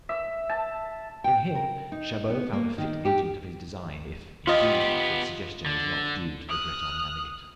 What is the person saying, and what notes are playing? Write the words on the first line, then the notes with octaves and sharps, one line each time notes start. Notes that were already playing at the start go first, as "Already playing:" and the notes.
In him Chabot found a fit agent of his design, if, indeed, its suggestion is not due to the Breton navigator.
E5
A5
G5
A#4
D#4
B3
A#3
D#3
G4
B3 F4 G4 D#5
D3
D#6 F6 F#6